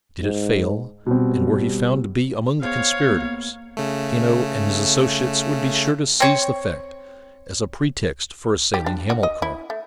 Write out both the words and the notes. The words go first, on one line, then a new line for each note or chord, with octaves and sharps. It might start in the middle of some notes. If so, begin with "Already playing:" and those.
Did it fail, and were he found to be among the conspirators, Hanno and his associates would be sure to seize the fact as a pretext for assailing Hamilcar.
G#2
B2 G3 C4
B3 G#4 C5 C#5 F5
A#3 B3
C#3 A3
C4 C#5
G4
D4
F#4
D#5
E4
A3